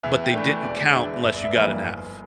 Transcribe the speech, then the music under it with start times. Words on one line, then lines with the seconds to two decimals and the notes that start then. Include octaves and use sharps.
but they didn't count unless you got an F.
0.03 E2 E5
0.24 G5
0.34 E3 A3 D4
0.63 E1 D5
0.93 E2 D3 E5
1.23 G1 E5
1.35 D5
1.43 E5
1.53 F2 E3 A#3
1.63 E5
1.83 G1